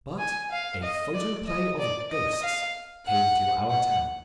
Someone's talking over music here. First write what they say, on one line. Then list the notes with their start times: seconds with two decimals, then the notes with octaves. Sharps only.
But a photoplay of Ghosts came to our town.
0.19 G#5
0.51 F5
0.82 D#5
1.14 D5
1.47 D#5
1.79 D5
2.11 D#5
2.42 F5
3.06 F#5
3.70 F#5